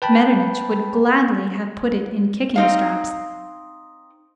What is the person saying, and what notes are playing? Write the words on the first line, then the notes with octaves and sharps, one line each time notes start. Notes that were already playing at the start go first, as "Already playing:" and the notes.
Metternich would gladly have put it in kicking-straps.
B4 G5 A5 B5
C4 D#4 F5